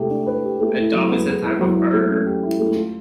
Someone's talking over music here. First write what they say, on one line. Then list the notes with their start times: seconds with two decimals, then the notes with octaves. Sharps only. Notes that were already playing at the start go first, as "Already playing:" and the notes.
A Dove is a type of bird.
Already playing: C3 A3 G4
0.10 D4
0.26 B4
0.44 G4
0.61 A3
0.77 E4
0.93 F#3
1.09 B3
1.27 G#4
1.43 E4
1.59 F#3
1.77 E4
1.93 A3
2.09 C#4
2.26 G4
2.43 E4
2.59 A3
2.76 F4